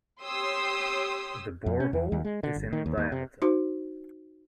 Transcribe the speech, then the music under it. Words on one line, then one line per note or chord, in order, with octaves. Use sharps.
The borehole is in diameter.
G4 C#5 C6 D#6 E6
F2
C#4
E2
D#2
G#3
D3
G1
D#3
D#2
D#2
C3
D#4 F#4 C5